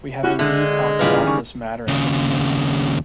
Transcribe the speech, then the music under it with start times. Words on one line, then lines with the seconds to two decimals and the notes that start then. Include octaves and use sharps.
We have indeed talked about this matter at the committee.
0.24 C#4 E4 F#4 G4
0.39 D3 G#3 E5
0.99 A1 C#3 G3 F4 A#4 B4
1.25 D#3 G#5 C#6
1.88 D#2 C#3